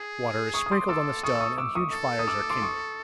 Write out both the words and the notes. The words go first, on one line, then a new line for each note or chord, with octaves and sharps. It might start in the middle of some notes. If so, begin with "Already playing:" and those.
Water is sprinkled on the stone and huge fires are kindled.
Already playing: G#4
C#6 D#6
D#6
C6 D6
A4 D6 E6
A4 C#6 D#6
E6
C#6 D#6
D6 E6
C#6 D#6
A4
D#6
D6 E6
C6 D6
C#6 D#6